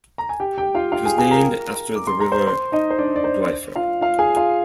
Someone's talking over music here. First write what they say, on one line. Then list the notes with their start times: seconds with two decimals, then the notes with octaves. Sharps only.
It was named after the river Dwyfor.
0.18 A#5
0.29 G#5
0.40 G4 G5
0.58 G4 G5
0.75 F4 F5
0.92 F4 F5
1.05 G#4 G#5
1.18 G#4 G#5
1.31 A#4 A#5
1.95 D6
2.07 C6
2.20 A#5
2.32 C5 C6
2.47 C5 C6
2.72 D#4 D#5
2.90 C5
2.99 D4 D5
3.16 D5
3.24 C5
3.75 F4 F5
4.01 F4 F5
4.19 G#4 G#5
4.36 F4 F5